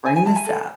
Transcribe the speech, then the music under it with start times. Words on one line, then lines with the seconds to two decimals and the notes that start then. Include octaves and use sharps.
bring this up,
0.06 E4 G#5
0.16 G#5
0.25 E4 A5
0.36 G#5
0.46 A4